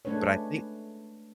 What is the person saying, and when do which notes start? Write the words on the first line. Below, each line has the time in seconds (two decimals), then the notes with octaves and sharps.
But I think
0.05 G#3 A3 D4 B4 C#5